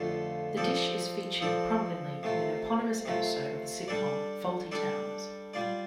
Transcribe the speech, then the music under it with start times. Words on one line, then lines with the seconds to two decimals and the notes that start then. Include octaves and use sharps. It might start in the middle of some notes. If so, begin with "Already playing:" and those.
The dish is featured prominently in an eponymous episode of the sitcom "Fawlty Towers".
Already playing: F2 D3 A3 F4 A4
0.57 F3 C4 A4 D5
1.40 F3 C4 A4 D5
2.23 C3 A3 F4
3.05 C3 A3 F4
3.88 G3 D4 A4 D5
4.72 G3 D4 A4 D5
5.54 G3 F4 D5